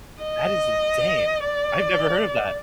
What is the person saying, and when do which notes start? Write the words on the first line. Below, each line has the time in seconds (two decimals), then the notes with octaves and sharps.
That is insane. I've never heard of that.
0.23 D#5
1.46 D5